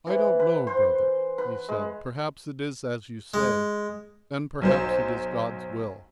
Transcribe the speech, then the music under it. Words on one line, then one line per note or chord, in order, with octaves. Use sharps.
"I don't know, brother," he said; "perhaps it is as you say, and perhaps it is God's will."
E3
B4
C5
B4
G#3
G#3
B1 F#3 C5